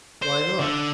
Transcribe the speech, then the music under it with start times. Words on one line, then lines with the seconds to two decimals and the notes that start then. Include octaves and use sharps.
"Why not?"
0.22 C5
0.60 D3